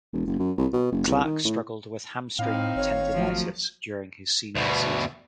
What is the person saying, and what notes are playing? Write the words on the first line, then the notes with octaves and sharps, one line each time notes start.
Clark struggled with hamstring tendinitis during his senior season.
E1
F#1
F#2
C2
B2
F#1
C2
D#3
A2
A2 C4 D#4 F5
G#1 C#5
F3 F#3 A3
D2 B2